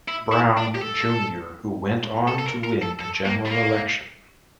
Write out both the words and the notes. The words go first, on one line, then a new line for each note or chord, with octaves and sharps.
Brown, Junior who went on to win the general election.
E4
E4
D4
G4
A4
A4
A4
A#4
A#4
A4
A4
A#3
A3
A#3